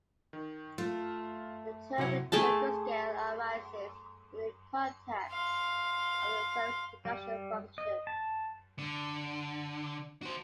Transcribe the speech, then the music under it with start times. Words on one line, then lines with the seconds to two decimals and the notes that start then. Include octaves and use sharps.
The term returns to scale arises in the context of a firm's production function.
0.33 D#3
0.78 A3 F4
1.98 C3 F#3 E4 F#4 F#5
2.32 A3 G#4 G5 A5
5.30 F5 C6
7.05 G3
7.78 D#5
8.07 A5
8.79 D3
10.22 F#4 C5